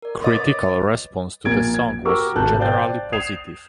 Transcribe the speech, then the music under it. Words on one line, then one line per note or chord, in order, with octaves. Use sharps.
Critical response to the song was generally positive.
A#4 D5
B4 C#5 D#5 D6 A6
A#1 A#3 G#6 A6 D7
G#6
F#4 G4 A#4 C#6 D6 E6
G#1 C3 A4 A5 F#6 G6
C5 D5 F5 G5 G6 A6
D#6 G#6 C7 E7 F7